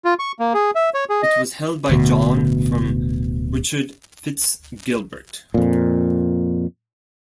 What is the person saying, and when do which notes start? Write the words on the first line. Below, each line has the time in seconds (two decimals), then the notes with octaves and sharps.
It was held by John from Richard Fitz Gilbert.
0.05 F4
0.19 C#6
0.39 A#3
0.54 G#4
0.75 E5
0.94 C#5
1.09 G#4
1.22 D#5
1.89 D1 D2 B2
5.54 F2 A#2